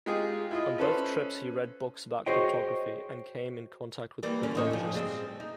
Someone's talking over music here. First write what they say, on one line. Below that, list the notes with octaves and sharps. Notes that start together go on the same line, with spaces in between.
On both trips, he read books about cryptography and came in contact with cryptologists.
G#3 D#4 F4 G4 G#4
E4 F4 D#5
C#4 A4 B4 C5
F#4 G#4 C5 C#5 D#5 G5
E3 G3 A#3
D3 C#4
A2 D#4 C#5
G2 C#3 F3
G3 G#3 C4
D#4